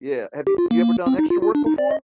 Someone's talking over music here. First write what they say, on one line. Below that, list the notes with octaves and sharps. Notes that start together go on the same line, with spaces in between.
Yeah, have you you ever done extra work before?
G4
F4
A#3
C4
D#4
F4
F4
D4
D#4
D5
D#5